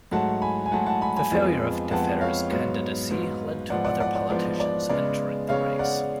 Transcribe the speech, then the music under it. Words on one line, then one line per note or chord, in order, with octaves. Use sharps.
The failure of Defferre's candidacy led to other politicians entering the race.
G#2 F#3 A3 F#5 A5
G#5 B5
G#5
G#2 F#3 A3 F#5 A5
F#5 A5
G#5 B5
G#5 B5
F2 F3 G#3 B3
F2 F3 G#3 B3 F#5 A5
C#5 F5
G#2 F#3 B3
G#2 F#3 B3
G#2 F3 B3 D5 F#5
D5 F#5
D5 F#5
D5
G#2 F3 B3 D5
D5
C#3 G#3 B3 D5
C#3 G#3 B3 C#5 F5
D5 F#5